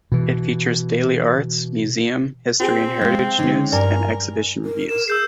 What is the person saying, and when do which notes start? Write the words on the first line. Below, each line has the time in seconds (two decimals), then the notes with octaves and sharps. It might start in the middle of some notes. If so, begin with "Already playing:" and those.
It features daily arts, museum, history and heritage news, and exhibition reviews.
0.12 B2 E3
2.60 C4 F4 G4 G#4
3.01 G#3 F5
3.39 D3 G#3 C#4 D#4
3.72 G2 A#4 D5 G#5
4.65 A#4
4.88 A#4 E7
5.08 G#4 E6 G6 C7